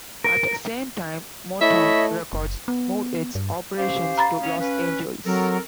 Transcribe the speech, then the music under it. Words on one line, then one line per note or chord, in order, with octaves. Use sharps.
At the same time, Motown Records moved its operations to Los Angeles.
A#4
A3 E4 C#5 D#5 E5 B5
F#1
B3
G2
C#4 G4 C5 F5
A#5 B5 A6
A#3 B3 C#4
C#4 B4
F#3 C4 A4 A#4